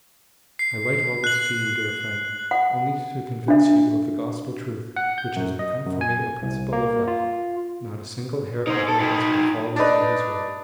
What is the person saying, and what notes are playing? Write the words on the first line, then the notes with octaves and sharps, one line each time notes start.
I write all this to you, dear friend, only to convince you of the Gospel truth which has become for me a principle of life: not a single hair of our heads will fall without His will.
C7
F#6 F#7
F#5
D4 E5
F#5
G6
F#2
D#5
F#2
G#5
C2
A#3
F4
D#4 C5
A4
D#4 B4
D4 D#4 B4